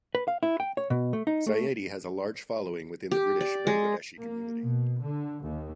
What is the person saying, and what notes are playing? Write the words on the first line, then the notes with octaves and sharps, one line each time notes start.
Sayeedi has a large following within the British Bangladeshi community.
B4
F5
E4
G5
C#5
B2
A3
D#4
A3
G4
D5
G#3
A#3
B2
D3
D#2